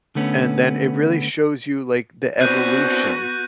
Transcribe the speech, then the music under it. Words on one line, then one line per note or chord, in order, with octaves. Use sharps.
and then it really shows you, like, the evolution,
D3 A3 B3 C#4
B3 C4 D4 F#4 F#6 G6 D#7